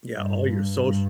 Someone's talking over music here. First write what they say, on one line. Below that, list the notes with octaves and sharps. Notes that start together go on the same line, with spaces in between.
yeah, all your soc
G2
G2
G2